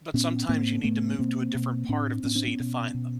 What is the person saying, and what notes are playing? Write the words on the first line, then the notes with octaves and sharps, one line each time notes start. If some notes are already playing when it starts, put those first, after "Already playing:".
but sometimes you need to move to a different part of the sea to find them.
A#2 B3 C#4
A2 A#3 C4
A2 A3 B3
B2 A#3 C4
B2
A2 C4 D4
A2 B3 C#4
C4 D4
B3 C#4
B2
B2